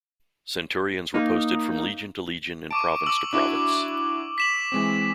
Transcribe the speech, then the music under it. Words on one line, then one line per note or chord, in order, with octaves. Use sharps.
Centurions were posted from legion to legion and province to province.
A#3 D#4
A5 C#6 D6 D7
D6 E6 F#7
D4 E4 F#4 D6
B6 E7 F#7
E3 G#3 C4